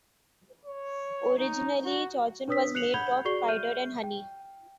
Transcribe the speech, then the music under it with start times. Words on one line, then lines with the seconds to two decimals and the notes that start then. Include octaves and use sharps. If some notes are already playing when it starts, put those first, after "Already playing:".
Originally chouchen was made of cider and honey.
0.65 C#5
1.38 D#4
1.85 F#4
2.48 D4 B4 C#5 D#6 E6 B6
2.75 F#6 C7 C#7 F7 F#7
2.94 F#5 B5 G6 G#6 F7 G7
3.25 F#4 G#4 D5 C#6 C7 G7
3.48 E5 F6 G6 D#7
4.04 G5